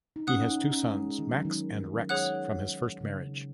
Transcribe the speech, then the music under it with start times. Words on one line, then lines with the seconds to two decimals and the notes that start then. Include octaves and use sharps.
He has two sons, Max and Rex, from his first marriage.
0.16 D#4
0.27 C#4 F#5 D#6 F#6
0.50 D#4
0.73 C#4
0.95 G#3
1.19 D#3
1.32 F#3
1.45 D#3
2.09 G#4 C#5 F#5 D#6 F#6
3.01 C#3